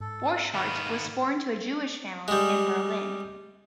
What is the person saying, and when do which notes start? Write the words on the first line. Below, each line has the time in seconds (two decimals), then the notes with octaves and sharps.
Borchardt was born to a Jewish family in Berlin.
0.01 G#2 A4
0.54 D#3 B3 F5 B5
2.28 G3 G#3